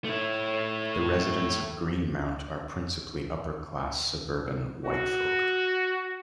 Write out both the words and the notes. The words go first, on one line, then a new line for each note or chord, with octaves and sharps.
The residents of Greenmount are principally upper class suburban white folk.
A3 E4
F#4